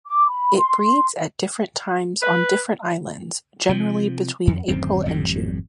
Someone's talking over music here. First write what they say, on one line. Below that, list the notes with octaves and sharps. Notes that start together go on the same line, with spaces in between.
It breeds at different times on different islands, generally between April and June.
D6
B5
C6
B4
C3 F3
F2
D1 F#2 D#3 C4
G#1 F2 A2 G3